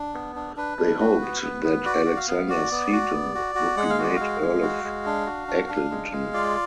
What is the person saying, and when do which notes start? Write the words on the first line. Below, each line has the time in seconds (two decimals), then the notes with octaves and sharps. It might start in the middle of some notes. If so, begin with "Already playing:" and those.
They hoped that Alexander Seton would be made Earl of Eglinton.
Already playing: D4
0.14 B3
0.36 D4
0.56 D4 B4
0.78 D4
1.00 F#4
1.22 B3
1.43 B3
1.64 B3
1.85 F#4 D5
2.06 F#4
2.17 F5
2.28 B3
2.49 F#4 D5
2.71 B3
2.92 F#4
3.13 B3
3.35 F#4
3.55 F#4
3.77 G#3 F#5
3.90 F5
3.99 F#4 D5
4.16 G#3 F5
4.42 G#3
4.62 F#4
4.84 G#3
5.06 D4
5.26 F#4
5.48 D4
5.69 D4
5.90 G#3
6.12 G#3
6.34 F4 D5